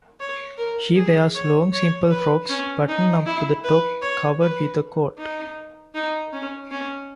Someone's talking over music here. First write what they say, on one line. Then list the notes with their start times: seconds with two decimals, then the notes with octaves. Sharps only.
She wears long simple frocks buttoned up to the top covered with a coat.
0.20 C#5
0.58 A#4
0.96 G#4
1.35 C#5
1.73 C#5
2.11 B4
2.49 C#4
2.88 D#4
3.26 E4
3.64 B4
4.02 C#5
4.41 B4
5.18 D#4
5.95 D#4
6.33 C#4
6.71 C#4